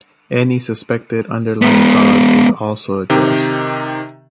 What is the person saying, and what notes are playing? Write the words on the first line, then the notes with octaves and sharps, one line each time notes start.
Any suspected underlying cause is also addressed.
G#3 B3
C3 D#3 D#4 G4